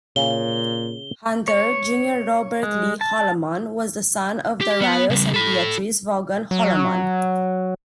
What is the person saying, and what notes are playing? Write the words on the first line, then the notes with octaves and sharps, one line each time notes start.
Hunter, Jr.. Robert Lee Holloman was the son of Daraious and Beatrice Vaughan Holloman.
A#2 C#3 G7
C#5
G#3
A5
G4
B3
C#3 G3
A4 B5
F#3